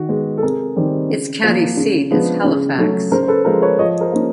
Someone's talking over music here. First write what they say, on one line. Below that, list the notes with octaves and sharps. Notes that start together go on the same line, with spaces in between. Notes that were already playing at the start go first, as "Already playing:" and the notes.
Its county seat is Halifax.
Already playing: D#3 F#4
G#3 B3
A4
C3 G#4 A#4
D#3 G3 C4
C#3
F3 A#3
C#3
F3 G#3 B3 D4
C#3
F#3 A3 C#4
C#3 A#4 C5
C5
A4 B4
F3 G#3 A#4 C5
B4 C#5
F3 C#5 D#5
A#4 C5
A#3 C#4